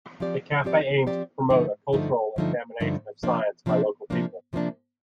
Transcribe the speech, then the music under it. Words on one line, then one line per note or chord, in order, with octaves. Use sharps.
The Cafes aim to promote a cultural examination of science by local people.
F3 C4 G4 D5
F3 C4 G4 D5
F3 C4 G4 D5
G2 D3 F3 A3 D#4
G2 D3 F3 A3 D#4
G2 D3 F3 A3 D#4
G2 D3 F3 A3 D#4
C3 F3 A#3 D4
C3 F3 A#3 D4
C3 F3 A#3 D4
C3 F3 A#3 D4